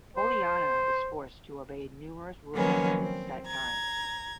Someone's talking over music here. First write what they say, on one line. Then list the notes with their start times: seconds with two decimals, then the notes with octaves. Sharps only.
Poliana is forced to obey numerous rules and set times.
0.17 C5
2.54 D#3 F3 F#3 A#3 B3 C#4
2.99 C4
3.46 A#5 G#6